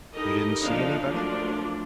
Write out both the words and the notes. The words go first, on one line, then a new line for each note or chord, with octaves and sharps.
"You didn't see anybody?"
D#4 E4 G4 A4 A#4 D#5
D3 F3 A#3 D4 D#4 F5
F3 F#3 A3 A#3 D4 F4